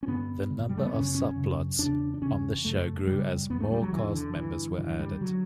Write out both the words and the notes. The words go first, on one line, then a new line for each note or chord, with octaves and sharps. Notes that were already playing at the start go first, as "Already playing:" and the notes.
The number of subplots on the show grew as more cast members were added.
C#4
G2 D3 B3
G2 D3
G3
A3
B3
F#2 C#3 C#4
C#4
F#2 C#3
E2 C#3 D4
D4
E2 C#3 C#4
F#2 C#3 A3
F#2 C#3 G3
E2 D3 B3
A3
G3
F#3
E2 D3 E3
D3
G2 D3 E3
G2 D3 E3
G3
D3 F#3